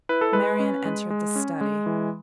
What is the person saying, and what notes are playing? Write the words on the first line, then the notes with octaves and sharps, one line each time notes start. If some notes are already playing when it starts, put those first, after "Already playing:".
Marian entered the study.
E4 B4
A4
G#3 B4
C#4
G#3
G#3
C#4
G#3
E3